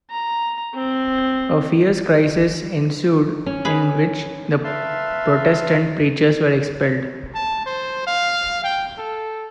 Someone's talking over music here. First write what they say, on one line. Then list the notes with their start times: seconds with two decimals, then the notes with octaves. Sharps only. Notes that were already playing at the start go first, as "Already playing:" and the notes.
A fierce crisis ensued in which the Protestant preachers were expelled.
0.10 A#5
0.75 C4
3.46 C#4
3.65 G#4 B4
4.64 B4 E5 F5 A5 C6
7.34 A5
7.66 C5
8.06 F5
8.64 G5
8.98 A4